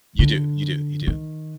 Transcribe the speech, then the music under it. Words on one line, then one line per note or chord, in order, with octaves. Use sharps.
You do, you do, you do.
D3
D#3